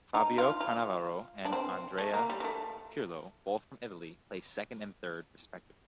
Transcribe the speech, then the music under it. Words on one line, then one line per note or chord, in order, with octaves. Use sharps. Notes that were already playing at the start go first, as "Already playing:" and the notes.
Fabio Cannavaro and Andrea Pirlo, both from Italy, placed second and third respectively.
D#4
F4
F4
D4
C4
A3
A#3
G3
A#3
A3